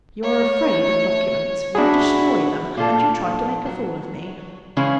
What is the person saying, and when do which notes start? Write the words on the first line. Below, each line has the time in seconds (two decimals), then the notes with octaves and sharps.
You are afraid of documents, you destroy them, and you try to make a fool of me.
0.23 A3 C#5
1.75 D4 E4 F#4 G#4
2.77 A#2 F4 A4 A5
3.66 F#3
4.77 C#3 E3 G#3 C#4